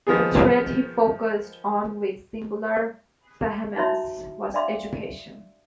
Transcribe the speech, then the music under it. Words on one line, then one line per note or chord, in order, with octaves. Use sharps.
The thread he focused on with singular vehemence was education.
D#3 F3 B3 G#4
D#4 E4 F#4 C#5 E5 C6
D4 D5 E5 F5 C6 D6